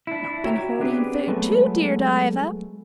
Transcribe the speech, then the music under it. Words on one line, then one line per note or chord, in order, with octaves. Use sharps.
Not been hoarding food, too, dear Diva?
D4 E4
F#4 C#5 E5 G5 A#5
B3 C4 D4 G4 G#4 B4
F#3 G#3 A3 B3